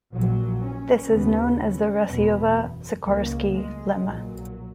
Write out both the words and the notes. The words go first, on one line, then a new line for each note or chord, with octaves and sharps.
This is known as the Rasiowa-Sikorski lemma.
A#1 A#2 F#3
C#4
D#2 C#3 B3
C#4
F#1 E2 B2 B3
C#2 C#3 A#3
G#3
B1 A#2 F#3